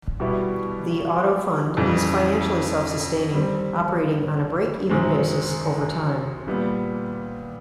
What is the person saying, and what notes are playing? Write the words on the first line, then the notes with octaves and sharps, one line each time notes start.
The Auto Fund is financially self-sustaining, operating on a break-even basis over time.
B2 G3 B3 E4 G4
F2 C#3 E3 G3
D#3 G3 C4
F#2 D#3 G#3 C4
A#2 G3 B3